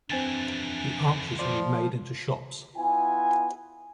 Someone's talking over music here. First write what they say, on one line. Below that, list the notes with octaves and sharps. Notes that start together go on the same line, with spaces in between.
The arches will be made into shops.
F2 E3 C4 D4 G#5 A6
F3 D5 C6
B3 E4 F4 G#5